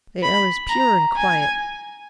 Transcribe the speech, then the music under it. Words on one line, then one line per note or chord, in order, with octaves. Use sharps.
The air was pure and quiet.
B5
A#5
G#5